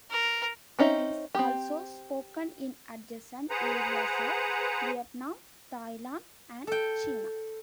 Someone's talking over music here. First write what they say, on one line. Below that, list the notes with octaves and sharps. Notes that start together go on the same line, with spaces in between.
It is also spoken in adjacent areas of Vietnam, Thailand and China.
A#4
C4 C#4 D#4 C5 E5
C4 G4
G#4 B4 C5 F#5 A#5
A4 G5